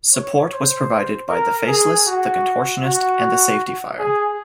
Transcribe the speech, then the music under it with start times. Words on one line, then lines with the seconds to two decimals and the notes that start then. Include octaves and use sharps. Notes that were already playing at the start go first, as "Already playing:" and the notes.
Support was provided by The Faceless, The Contortionist, and The Safety Fire.
0.14 C#5
0.52 C5
1.29 A#4
1.68 G#4
2.07 F#4
2.84 F#4
3.99 G#4